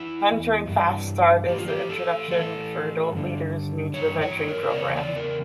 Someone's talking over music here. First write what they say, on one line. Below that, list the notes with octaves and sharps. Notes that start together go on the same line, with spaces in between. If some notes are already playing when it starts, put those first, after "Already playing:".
Venturing Fast Start is the introduction for adult leaders new to the Venturing program.
Already playing: E2 E3 E4
G2 E3
A2 E3 G4
F4
G4
A4
A2 E3 A4
G2 D3
G2 E3 C#5
C#5
A#4
D5
E2 C#3 C#5
D5
A#4